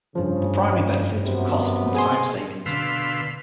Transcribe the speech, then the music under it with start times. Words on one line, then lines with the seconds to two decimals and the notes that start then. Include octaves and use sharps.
The primary benefits were cost and time savings.
0.15 G2 C#3 F3
1.23 F#2 C3 B3
1.94 G#4 G#5 C6
2.66 B2 D3 B4 F5 C6 E6